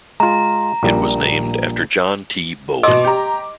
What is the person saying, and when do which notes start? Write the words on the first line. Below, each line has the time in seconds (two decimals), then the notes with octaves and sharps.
It was named after John T. Bowen.
0.20 G#3 F4 A#5
0.83 A#1 A#2 G3
2.83 B2 D#5 C6 D6 E6
3.05 G4 A#5